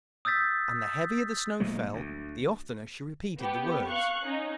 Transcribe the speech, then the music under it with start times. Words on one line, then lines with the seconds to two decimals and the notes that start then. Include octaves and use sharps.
And the heavier the snow fell the oftener she repeated the words.
0.25 D#6 E6 G6 A6 B6
1.60 A#2 F#3 G#3 A3
1.93 D2
3.40 B3 G4
3.89 F5 C#6 F#6
4.24 C#4 D#4